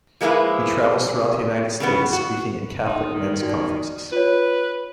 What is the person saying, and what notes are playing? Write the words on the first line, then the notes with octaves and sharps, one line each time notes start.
He travels throughout the United States speaking at Catholic men's conferences.
F3 G#3 A#3 C4 E4 B4
C#3 G3 B3
F#4
D#4 C6
D#3
D#4 F#4 D5
F4 B4 C#5